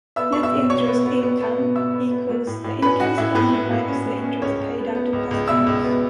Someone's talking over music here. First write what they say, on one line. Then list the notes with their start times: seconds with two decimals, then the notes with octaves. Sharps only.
Net interest income equals the interest earned minus the interest paid out to customers.
0.16 B3 E5 E6
0.32 B3 C#6
0.43 E5 E6
0.52 B2
0.70 B2 C#5 C#6
0.87 B3
1.05 B3
1.23 B3
1.41 B3
1.58 B2
1.76 B2 E5 E6
1.94 B3
2.11 B3
2.29 A3
2.47 A2
2.64 A2
2.82 C#4 B4 B5
3.00 A2 F#4 F#5
3.18 A2 E4 E5
3.35 A2 B3 B4
3.54 A2
3.71 A2
3.88 C#4
4.06 A3
4.24 C#4
4.42 C#2 C#4 C#5
4.60 C#2
4.78 B3
4.95 B3
5.13 C#2
5.31 C#2
5.48 B2 E5 E6
5.67 C#2
5.84 B3